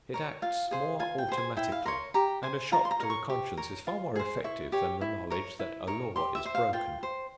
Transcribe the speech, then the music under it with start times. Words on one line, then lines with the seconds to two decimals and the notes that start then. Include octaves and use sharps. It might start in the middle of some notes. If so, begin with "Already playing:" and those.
It acts more automatically, and a shock to the conscience is far more effective than the knowledge that a law is broken.
0.14 A#4 C#5
0.42 F4 F5
0.71 G#4 C5
1.00 F4 G#5
1.18 G5
1.28 G#4 C5
1.37 G#5
1.57 E4 G5
1.72 F5
1.85 A#4 C#5 C6
2.14 G4 A#5
2.43 C5 G#5
2.72 F4 A#5
2.85 C6
2.91 A#5
3.00 A#4 C#5
3.10 C#6
3.30 G4
3.57 A#4 C#5
3.87 F4
4.16 G#4 C5
4.44 E4 C#6
4.72 G4 C#5
5.01 E4
5.30 A#4 C#5
5.59 E4
5.87 A#4 C#5
6.16 G4 C6
6.35 E5
6.45 C5
6.55 F5
6.73 F4 G5
7.03 C5